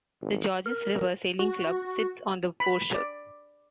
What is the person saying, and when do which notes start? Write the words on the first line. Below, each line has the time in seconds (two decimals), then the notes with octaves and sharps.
The Georges River Sailing Club sits on the foreshore.
0.21 G#1
0.66 A#4
1.39 F#4
2.60 B5
2.94 D5